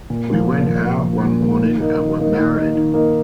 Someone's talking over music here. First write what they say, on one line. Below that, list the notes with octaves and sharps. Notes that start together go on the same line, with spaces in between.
We went out one morning and were married.
A#2
F3 A#3
A#2
F3 A#3
A#2
F3 A#3
A#2
F3 A#3
D#3
A#3 D#4 A#4 D#5
D#3
A#3 D#4 A#4 D#5
D#3
A#3 D#4 A#4 D#5
D#3
A#3 D#4 A#4 D#5